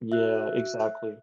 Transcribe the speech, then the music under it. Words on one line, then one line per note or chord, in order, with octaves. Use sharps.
Yeah, exactly.
F#4 E5 F#6